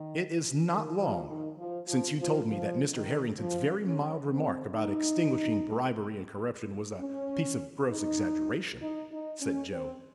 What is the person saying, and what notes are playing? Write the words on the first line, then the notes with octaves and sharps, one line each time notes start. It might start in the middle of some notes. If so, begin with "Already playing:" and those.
"It is not long since you told me that Mr. Harrington's very mild remark about extinguishing bribery and corruption was a piece of gross exaggeration," said Joe.
Already playing: D#3
D#3
F3
D#3
F3
F3
F3
F3
D#3
F3
C#4
C4
D#4
C#4
D#4
D#4
D#4
C#4
C4